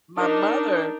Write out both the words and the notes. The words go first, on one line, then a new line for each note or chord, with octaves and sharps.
My mother,
D4 D#4 A#4